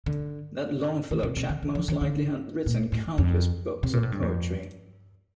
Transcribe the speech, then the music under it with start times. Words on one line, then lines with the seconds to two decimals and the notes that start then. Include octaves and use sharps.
That Longfellow chap most likely had written countless books of poetry.
0.06 D3
1.11 D#3
1.23 C3
1.37 C3
1.50 D3
1.63 D#3
1.75 F3
1.88 D#3
2.01 D3
2.66 A#2
2.92 A2
3.18 F2
3.83 C3
3.93 A#2
4.03 A2
4.12 G2
4.22 F2